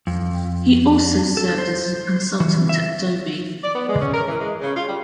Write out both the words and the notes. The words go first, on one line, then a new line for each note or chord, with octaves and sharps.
He also served as a consultant to Adobe.
F2
A4
C5
E3
E5
D5
B3
G#3
C#4
A#4
E3
G#3
C#3
F4
G3